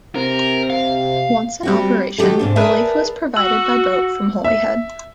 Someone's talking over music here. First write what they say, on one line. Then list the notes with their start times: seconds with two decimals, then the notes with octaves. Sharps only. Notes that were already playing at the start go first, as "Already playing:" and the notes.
Once in operation, relief was provided by boat from Holyhead.
0.16 C3 A#4
0.70 F5
1.63 G3 C4 F#4
2.18 D#3 F#3 F#4 G4 A4
2.39 G#2 C3 D4
2.56 G#4 A#4 B4 D5 E5 A5
3.36 F#4 E6 F#7
4.44 E5